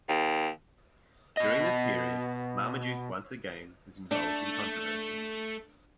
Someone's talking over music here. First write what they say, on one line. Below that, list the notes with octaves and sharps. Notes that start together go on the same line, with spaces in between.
During this period, Marmaduke once again was involved in controversy.
D#2
B2 D#5
A3 D4